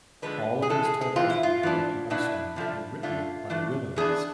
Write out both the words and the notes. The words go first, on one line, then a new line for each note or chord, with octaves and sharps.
All of these titles were directed by Stein and written by Willens.
D3 F3 G#3 D4 B4
G#4
A2 E3 G#3 A4
G#4
G#4
E3 G#3 C4 F4
E4
F4
E3 B3 D4
B2 B3 D4 E4
C3 F3 A3 D4
D3 A3 D4 F4
E3 A3 D4
E3 B3 D4 G#4